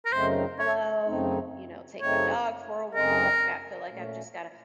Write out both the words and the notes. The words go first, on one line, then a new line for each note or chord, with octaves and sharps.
hello, you know, take my dog for a walk, and I feel like I've just gotta
A#4
F#2 C#3 A3 C4 D#4 C5
C#5
F#2 C#3 A3 C4 D#4
F#2 C#3 A3 C4 D#4 C#5
F#2 C#3 A3 C4 D#4 A#4
A#2 A3 C#4